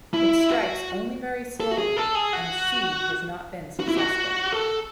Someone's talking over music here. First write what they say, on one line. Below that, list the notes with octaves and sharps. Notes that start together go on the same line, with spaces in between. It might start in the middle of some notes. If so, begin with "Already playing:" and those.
It strikes only very slowly and seed has not been successful.
E4
F#4
A4
F#4
G#4
A4
G#4
F#4
F#4
E4
F#4
A4